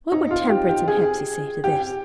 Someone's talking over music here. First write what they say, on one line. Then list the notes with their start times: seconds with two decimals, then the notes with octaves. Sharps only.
"What would Temperance and Hepsey say to this?"
0.12 D#4
0.31 F4
0.49 G4
0.69 G4
0.88 G#4
1.64 G4